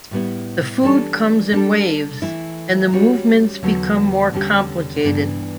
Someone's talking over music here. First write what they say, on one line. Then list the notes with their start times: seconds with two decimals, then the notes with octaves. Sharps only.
The food comes in waves, and the movements become more complicated.
0.11 A2 G3 B3 E4
0.81 E3 G3 D4 A4
1.52 G3 D4 A4
2.22 E3 A3 E4
2.93 G3 C#4 F#4 C#5
3.63 E2 D3 F#3 B3
4.32 E2 D3 G3 C#4 G4
5.03 G2 E3 B3 D4